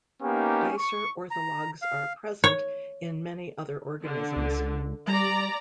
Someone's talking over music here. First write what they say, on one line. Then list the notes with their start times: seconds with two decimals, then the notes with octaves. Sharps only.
Dicer orthologs are present in many other organisms.
0.22 A#3 B3 C#4 D#4 G4
0.78 C#6
1.31 A#5
1.82 F5
2.44 C#5
4.03 D3
4.36 C#2
5.08 G3 D5 A#5